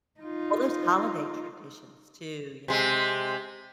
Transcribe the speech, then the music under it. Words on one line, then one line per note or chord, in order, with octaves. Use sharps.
Well, those holiday traditions, too, you know,
D#4 F4
C3 G#3